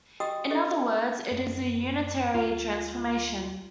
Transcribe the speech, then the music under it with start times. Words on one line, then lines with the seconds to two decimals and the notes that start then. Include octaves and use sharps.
In other words, it is a unitary transformation.
0.20 F#4 G4 D#5 G5 D#6 E6
0.50 C#4 G4 A4 D#5 E5
1.31 F#2
2.34 D2 F4